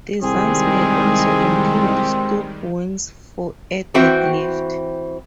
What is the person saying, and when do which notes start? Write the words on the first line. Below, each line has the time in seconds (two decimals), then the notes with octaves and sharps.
Designs may also include stub wings for added lift.
0.23 C2 D#3 G3 G#3 C4 G#4
3.94 E3 C4 F#4 C5 E5 G5